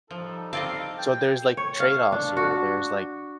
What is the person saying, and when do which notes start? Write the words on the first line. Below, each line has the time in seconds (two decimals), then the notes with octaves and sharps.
So, there's, like, trade-offs here. There's, like
0.11 F3 G3 D#4 A4
0.53 C4 D5 D#5 F5
0.98 G5
1.57 C#5
1.80 F5
2.12 D4
2.37 F#4